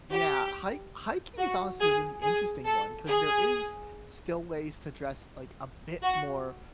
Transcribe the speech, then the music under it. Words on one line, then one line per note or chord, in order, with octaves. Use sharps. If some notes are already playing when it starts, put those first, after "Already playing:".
Yeah, hik hiking is honestly a really interesting one 'cause there is still ways to dress, like, a bit more
G4
F#4
G#4
G#4
A4
G#4
F#4